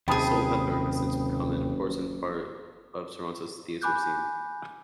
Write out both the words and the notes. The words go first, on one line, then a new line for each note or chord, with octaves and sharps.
Soulpepper has since become an important part of Toronto's theatre scene.
F#1 D#2 C3 G#4 G5 A5 B5 D#6
G#5 B5 D6 F#6 G6